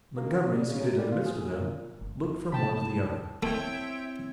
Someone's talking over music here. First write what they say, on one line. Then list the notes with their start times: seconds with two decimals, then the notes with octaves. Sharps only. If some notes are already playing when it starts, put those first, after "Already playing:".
Montgomery seated in the midst of them, looked from one to the other.
0.17 A#3
0.31 A#2
0.50 G3
0.68 C#3
0.80 F#2
0.98 G3
1.12 F4
1.26 G#4
1.43 F#2
1.55 A#2
2.01 G1
2.52 C3 G5 A5 B5
3.43 A3 C4 E4 C#5 E5 G5